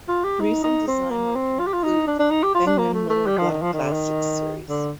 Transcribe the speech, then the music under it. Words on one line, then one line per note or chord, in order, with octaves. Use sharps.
Recent design work includes the Penguin Little Black Classic series.
F4
G4
D#4
D#4
C4
A#3
C4
F4
G4
F4
D#4
D4
D4
D#4
G4
F4
D4
A#3
A3
A3
G3
F3
D#3
F3
D#3
D3
D#3
D3